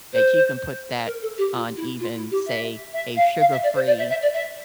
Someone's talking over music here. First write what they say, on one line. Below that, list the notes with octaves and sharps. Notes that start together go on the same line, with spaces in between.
that you can put that on even, say, a sugar-free
C5
A#4
A4
G4
F4
E4
F4
E4
G4
E5
E5
F5
F5
E5
D5
C5
D5
E5
E5
D5
E5